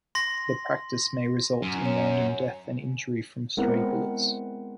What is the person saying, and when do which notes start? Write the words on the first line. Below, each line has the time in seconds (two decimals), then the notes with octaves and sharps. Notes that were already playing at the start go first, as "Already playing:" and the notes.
The practice may result in random death and injury from stray bullets.
0.15 C6 A#6
1.62 F#2
1.85 C#5
3.57 G#3 B3 C4 E4 A#4 F#5